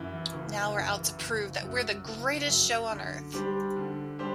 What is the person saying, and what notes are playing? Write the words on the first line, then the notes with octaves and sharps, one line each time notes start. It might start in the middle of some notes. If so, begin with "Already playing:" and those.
Now we're out to prove that we're the greatest show on earth.
Already playing: F#2 E3
F#1
F#2 E3
F#1
F#2 F#3
F#1
F#2 F#3
D3
G3 D4 G4 C5
D3
G3 D4 G4 C5